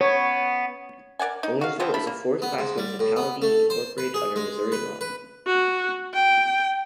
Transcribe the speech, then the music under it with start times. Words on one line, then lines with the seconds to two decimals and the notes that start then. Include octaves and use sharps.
Owensville is a fourth-class municipality incorporated under Missouri law.
0.01 B3 C#5
1.19 A#4 D5 F#5 G#5
1.43 D#4
1.61 F#4 F5
1.80 C#3 F3 B3 C4
1.94 F3 D4 E4 B5
2.07 A#3
2.42 B3
2.59 G#2
2.78 G3
2.99 A2
3.17 B3
3.42 A3
3.70 C5
3.98 B4
4.14 G#4
4.36 G#3
4.72 B4
5.01 B4
5.47 F#4
6.14 G5